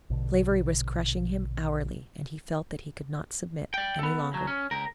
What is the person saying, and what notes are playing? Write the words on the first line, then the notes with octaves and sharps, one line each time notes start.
Slavery was crushing him hourly, and he felt that he could not submit any longer.
A#1 B2 D3
D5 G5
B3 A4
D#2 F#3
C#4
C#2 A#4